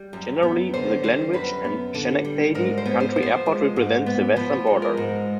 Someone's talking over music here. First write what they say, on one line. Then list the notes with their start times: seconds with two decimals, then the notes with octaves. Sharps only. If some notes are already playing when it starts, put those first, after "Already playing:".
Generally, the Glenridge and Schenectady Country Airport represents the western border.
Already playing: G3
0.13 F#2
0.43 B3
0.74 D3 C5
1.03 G3 C5
1.33 F#2 B4
1.64 B3
1.94 D3
2.25 G3
2.55 G#2 A#4
2.78 C5
2.86 B3
3.00 C5
3.16 F3
3.23 C5
3.46 G#3
3.76 G#2
4.06 B3
4.36 F3 B4
4.67 G#3
4.82 A#4
4.97 G#2